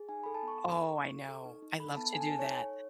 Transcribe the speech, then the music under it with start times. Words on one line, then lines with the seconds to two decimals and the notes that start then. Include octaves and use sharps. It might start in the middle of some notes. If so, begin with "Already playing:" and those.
Oh, I know. I love to do that.
Already playing: G#4
0.09 D#4 G#5
0.23 A4 B5
0.34 A5
0.43 B3
0.48 C#6
0.60 A4 B5
0.77 D#4
0.86 C#6
0.95 A4
1.11 F#4
1.29 A4
1.45 D#4
1.62 D#4
1.80 A4 B5
1.97 B3 A5
2.13 A4 G#5
2.21 A5
2.28 D#4 G#5
2.39 C#5
2.48 A4
2.64 D#4